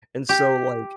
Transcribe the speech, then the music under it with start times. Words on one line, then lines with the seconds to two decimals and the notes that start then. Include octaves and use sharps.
and so, like,
0.29 G4